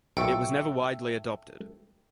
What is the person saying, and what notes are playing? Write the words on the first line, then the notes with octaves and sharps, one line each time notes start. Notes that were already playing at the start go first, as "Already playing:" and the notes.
It was never widely adopted.
B1 A#2 A4 E5 G5 C#6